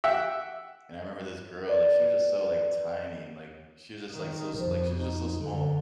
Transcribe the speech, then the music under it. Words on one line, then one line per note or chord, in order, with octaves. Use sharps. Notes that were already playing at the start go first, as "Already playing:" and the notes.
and I remember this girl, like, she was just so, like, tiny, and, like, she was just, like, so s like she's just so small,
E5 F#5 G5
B4 D5
D#3
F2 F3
D#4
F#2 D3